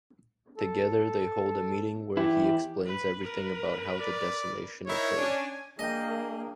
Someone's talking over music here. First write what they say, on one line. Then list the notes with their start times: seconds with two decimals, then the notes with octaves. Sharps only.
Together they hold a meeting where he explains everything about how the Decimation occurred.
0.58 A4
2.17 E2 E4 G4
2.86 B4
3.22 A#4 B4
4.01 D5
4.87 D#3 D#4 E4 C#5
5.18 C#4 D4 G#5
5.79 A#3 D4 G#4 D#5 G5